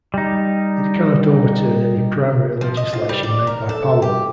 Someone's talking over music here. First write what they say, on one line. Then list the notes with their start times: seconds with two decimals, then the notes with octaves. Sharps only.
It cannot overturn any primary legislation made by Parliament.
0.14 G3 D#4
2.61 F3
2.77 D#5
2.93 F4
3.09 G3
3.23 D5
3.47 A#4
3.69 A4
4.02 G4